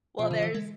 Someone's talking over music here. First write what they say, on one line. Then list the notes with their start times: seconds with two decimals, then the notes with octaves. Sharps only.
Well, there's
0.19 B2 F3
0.31 D3
0.42 E3
0.55 G#3